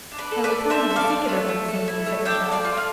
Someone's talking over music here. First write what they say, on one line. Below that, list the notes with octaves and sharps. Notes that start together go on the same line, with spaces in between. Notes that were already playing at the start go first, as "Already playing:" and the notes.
"I will tell you the secret of my singing," said the shell.
D4
B4 D5
A4
B4 D5
A4
A3 C5 E5
A4
D5 F5
D4
A3
A3
A4
E4
A3
D4 E5 G5
A4
D5 F5
F4
F5